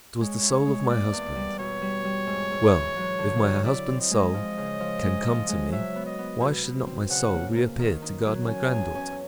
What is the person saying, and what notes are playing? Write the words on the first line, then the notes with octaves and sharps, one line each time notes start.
It was the soul of my husband!--Well, if my husband's soul can come to me, why should not my soul reappear to guard my granddaughter?
G#3 C#5
E4
G#3
A#3 D5
E2
G3
B2 C#5
G3
G3
G#2
G#2
E3
F#3
D3
F#3
E4 D5
C4
D#5
G#3
F3
C#3
F3
G#3
F3
G#3
F#3 E5
B3
D#5
B3
B2
B2
C4
C#3 F#5
A#3
A#3
D#3
D#4
F#3
C#4 G#5
E2
C#4